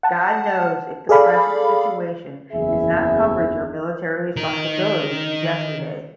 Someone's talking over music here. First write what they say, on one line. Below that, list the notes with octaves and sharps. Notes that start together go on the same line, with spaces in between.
God knows if the present situation has not covered your military responsibility since yesterday.
F#5 A5
G#4 A4 D5 F5 B5
F#1 E2 E4 G#4 E5
D#3 A#4